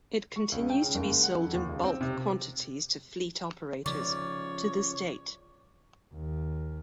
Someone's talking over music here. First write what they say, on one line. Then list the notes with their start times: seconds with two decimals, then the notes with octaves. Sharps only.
It continues to be sold in bulk quantities to fleet operators, to this date.
0.36 C#6
0.52 C#2
0.70 G5
0.82 C#3
0.95 F#1
1.08 G#3
1.23 F#5
1.38 F2
1.54 D#2
1.69 C#2
1.84 C4
2.01 C3
3.86 C#3 F3 C#5 D5
6.13 D#2